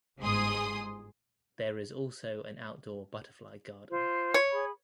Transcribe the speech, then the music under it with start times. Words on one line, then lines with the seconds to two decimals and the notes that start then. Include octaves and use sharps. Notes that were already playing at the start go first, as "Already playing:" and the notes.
There is also an outdoor butterfly garden.
0.20 G1 G#2 G#4 C6 D#6
3.90 F4 C5
4.34 C#5
4.51 G#4 B5